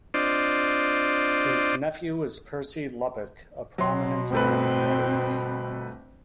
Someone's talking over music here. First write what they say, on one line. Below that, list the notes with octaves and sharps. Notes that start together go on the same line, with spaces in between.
His nephew was Percy Lubbock, a prominent man of letters.
C4 D4 F4 C5 D5 D#5
B2 F#3 C6
G1 A3 C4 B4